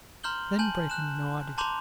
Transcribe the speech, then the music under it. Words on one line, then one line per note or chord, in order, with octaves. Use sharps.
Then Breton nodded.
A#5 C6 F6 G6 F#7 G7
G#5 A5 G6 F#7
F#6 E7
A5 A#5 C6 D6 G6 F7